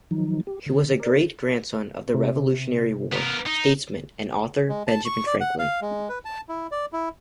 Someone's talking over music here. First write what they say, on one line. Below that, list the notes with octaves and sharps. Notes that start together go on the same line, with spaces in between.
He was a great-grandson of the Revolutionary War statesman and author, Benjamin Franklin.
D#3 F3 F#3 D#4
G4
D3
A#4 D5
C3
B3 A#4
D#4
G#3
A5
C#6
D5
F#5
F5
G#3
B4
A5
E4
D5
E4